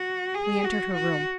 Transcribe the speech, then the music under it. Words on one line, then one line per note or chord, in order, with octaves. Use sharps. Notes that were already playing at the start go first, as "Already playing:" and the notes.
We entered her room.
Already playing: F#4
G#4
F#4
F#4